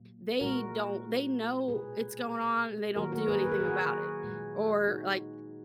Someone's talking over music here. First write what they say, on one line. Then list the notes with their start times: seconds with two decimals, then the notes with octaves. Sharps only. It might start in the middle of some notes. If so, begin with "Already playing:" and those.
they don't they know it's going on and they don't do anything about it, or, like,
Already playing: A#2 F#3 A#3
0.40 A#2 G#3 F#4 A#4
1.68 B2 G#3 G#4 B4
2.96 D#3 F#3 A#3 F#4 A#4
3.12 F#4 A#4
3.28 G#4 B4
3.44 B4
3.52 A#4
3.60 G#4
3.67 F#4 A#4
4.23 A#2 G#3
4.88 D#4 F#4